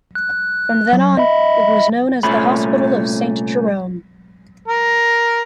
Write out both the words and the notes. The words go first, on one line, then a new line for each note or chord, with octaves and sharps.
From then on it was known as the Hospital of Saint Jerome.
F#6
F#3
D#5 E5 B5
C2 A#2 A3 C#4 B5
A#4